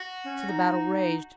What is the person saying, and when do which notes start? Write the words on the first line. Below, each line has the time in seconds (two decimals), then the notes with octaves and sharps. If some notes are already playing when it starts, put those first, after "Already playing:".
So the battle raged.
Already playing: F#4
0.24 C#4
0.49 D#4